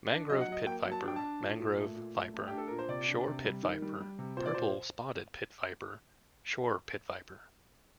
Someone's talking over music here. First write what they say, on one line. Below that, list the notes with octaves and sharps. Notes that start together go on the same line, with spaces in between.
Mangrove pit viper, mangrove viper, shore pit viper, purple-spotted pit viper, shore pitviper.
D4
F#3 D#5
F#5
F#3 D#5
A#3 G5
F#3
A5
D4 G5
A5
D4
A#2
A#2
A3
A#2
A3
A3
D4 G4
A4
A#2 A#4
C5
C3 D5
D4
C3
G3
D#3
G3
G3
C3
A#2 C5
D5
A#2 C5